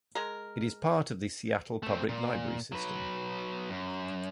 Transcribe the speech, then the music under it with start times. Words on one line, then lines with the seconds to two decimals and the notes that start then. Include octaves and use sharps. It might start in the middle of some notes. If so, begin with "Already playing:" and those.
It is part of the Seattle Public Library system.
0.15 G#3 A#4
1.83 A3 C4
2.09 A#2
2.72 F#3 B4
3.70 F#2